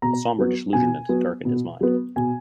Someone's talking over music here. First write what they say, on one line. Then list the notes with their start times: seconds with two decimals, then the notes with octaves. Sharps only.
A sombre disillusionment darkened his mind.
0.02 B2 A#5
0.39 F#3 B3
0.73 B2 G#5
1.09 F#3 B3
1.45 B2
1.81 F#3 B3
2.16 B2 G#5